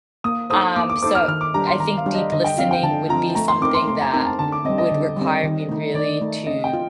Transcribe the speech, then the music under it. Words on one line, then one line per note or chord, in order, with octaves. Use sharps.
Um, so I think deep listening would be something that would require me really to
A#3 D#6
D#4 A4 C5 D#6
A#3 D6
D6
D#4 A4 C5 D6
F6
D#3 F6
D6
G3 D4 G4 A#5
C6
D#3 A#5
F5
G3 D4 G4
D#5
D3 D#5
G5
F3 C4 F4 F5
G5
D3 A5
F3 C4 F4 A#5
A3 A#5
C6
C4 D#4 A#4 D6
C6
A3 C6
A#5
C4 D#4 A#4 A#5
A5
D3 A5
D6
G3 C4 D#5
D#5
D3
G3 C4
D#3
A3 D#4
D#3 D5
A3 D#4
C4 D#5
G5
F4